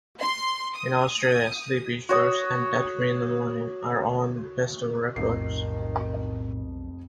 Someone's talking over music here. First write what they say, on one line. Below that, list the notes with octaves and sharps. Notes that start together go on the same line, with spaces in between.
In Australia, "Sleepy Shores" and "Touch Me in the Morning" are on Festival Records.
C6
D#6
F#4 C#5 D#6
F1 B1 F2 A2 D#3 C7